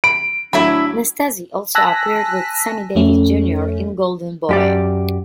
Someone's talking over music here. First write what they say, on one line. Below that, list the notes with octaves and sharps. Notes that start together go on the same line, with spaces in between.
Nastasi also appeared with Sammy Davis Junior in "Golden Boy".
B5 D7
A2 F#3 D4 E4 E5 B5
G#5 A5 E6 F#6 A#6 B6
F2 A3 C#4
F#2 G4 D5